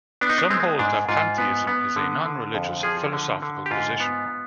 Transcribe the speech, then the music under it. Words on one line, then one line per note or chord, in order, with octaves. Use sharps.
Some hold that pantheism is a non-religious philosophical position.
B3 D4
D#4
D4
G#3 C4
G#2 D4
G#2 F4
B3
B3
D3
D3
F2
F3 G#4
D3
D3
G4
G#2 F4
B3